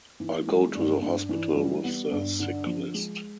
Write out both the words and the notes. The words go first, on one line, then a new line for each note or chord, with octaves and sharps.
I'll go to the hospital with the sick-list.
E3
G#3
G2
G2
E3
G3
B3
G2
D3
F3
G#3